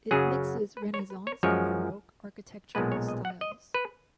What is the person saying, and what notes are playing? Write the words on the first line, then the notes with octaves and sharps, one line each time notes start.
It mixes Renaissance and Baroque architectural styles.
F#2 C#3 F#3 G#4
B4
C#5
B4
C#5
F#2 F3 G#3 C#5
B1 A#2 G#3 B3 B4
C#5
D#5
F#5
D#5
B4